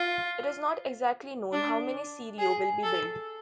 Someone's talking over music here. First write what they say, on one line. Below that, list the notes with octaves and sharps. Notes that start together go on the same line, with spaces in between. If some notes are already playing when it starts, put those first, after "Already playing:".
It is not exactly known how many Sirio will be built.
Already playing: F4
D4
G#4
A4